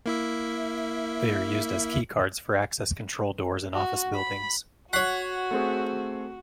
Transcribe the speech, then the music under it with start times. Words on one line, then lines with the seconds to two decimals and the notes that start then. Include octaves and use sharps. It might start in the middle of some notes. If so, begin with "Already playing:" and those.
They are used as keycards for access control doors in office buildings.
0.06 A#3 E4 E5
3.74 F#4
4.16 B5
4.93 F#4 C#5 F#5 C#6 B6 C7
5.51 A3 C4 G#4